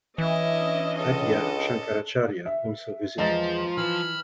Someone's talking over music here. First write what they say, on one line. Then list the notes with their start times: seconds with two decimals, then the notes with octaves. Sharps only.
Adya Shankaracharya also visited.
0.18 E3 C#4 D4 E4 D#5
0.98 C#2 A4
2.46 E5
3.18 E2 F3 G#3 D#5 A#5 A6
3.77 E3 B5 E6 F6